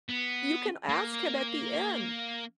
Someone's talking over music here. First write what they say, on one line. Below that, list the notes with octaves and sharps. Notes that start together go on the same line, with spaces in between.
you can ask him at the end,
B3
A#3